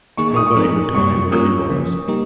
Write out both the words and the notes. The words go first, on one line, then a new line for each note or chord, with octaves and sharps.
Nobody could tell me where he was.
D#3 A#3 D#4 G#4 C#6
C#6
D#6
C#6
F3 C4 D#4 A#4
C3 G3 A#3 C#6
G3 A#3 C#4 F4 A#4 D#6
C#3 F3 A#3
G3 A#3 D#4 G4 A#4